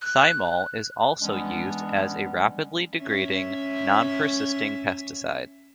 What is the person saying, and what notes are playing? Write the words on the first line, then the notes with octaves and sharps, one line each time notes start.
Thymol is also used as a rapidly degrading, non-persisting pesticide.
F#6
E3 G3 G#3 B3 C#4 D4
C#4 E5